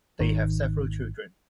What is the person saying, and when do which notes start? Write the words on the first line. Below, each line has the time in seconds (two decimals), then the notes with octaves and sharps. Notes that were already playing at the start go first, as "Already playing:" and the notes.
They have several children.
0.20 G#1 D#3